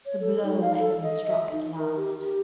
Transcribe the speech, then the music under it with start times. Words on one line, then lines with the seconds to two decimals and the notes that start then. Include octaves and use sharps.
The blow had been struck at last.
0.05 C#5
0.20 A4
0.43 D#4
0.61 F5
0.77 A4
1.02 D#5
1.28 E5
1.51 D#4
1.77 A#4
1.96 G4
2.24 G4